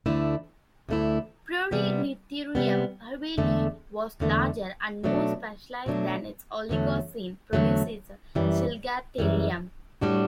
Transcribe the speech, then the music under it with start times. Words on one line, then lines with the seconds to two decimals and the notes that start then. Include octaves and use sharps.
"Prodeinotherium hobleyi" was larger and more specialised than its Oligocene predecessor "Chilgatherium".
0.06 D2 D3 A3 E4
0.89 D2 D3 A3 E4
1.71 C3 G3 B3
2.55 C3 G3 B3
3.37 E2 D3 A3
4.20 E2 D3 A3
5.04 B2 F#3 A3 D4
5.86 B2 F#3 A3 D4
6.69 E2 D3 F#3 A3
7.53 E2 D3 F#3 A3
8.35 F#2 E3 G3
9.18 F#2 E3 G3
10.01 A2 G3 D4 F#4